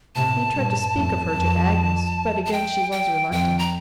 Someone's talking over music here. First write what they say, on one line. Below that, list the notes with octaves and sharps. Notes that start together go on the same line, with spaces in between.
He tried to speak of her to Agnes, but again she was reluctant.
A2 C3 A5
G2 A#2
F2 A2
F2
A5
G5
G5
F2 G5
A#5